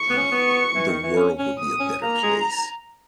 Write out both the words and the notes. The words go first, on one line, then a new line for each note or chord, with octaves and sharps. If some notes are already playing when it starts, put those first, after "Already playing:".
um, the world would be a better place.
Already playing: C#6
B3
C#4
B3
E3
D#3
E3
C#4
C#4
D#6
C#4
A#3 A#5
G#3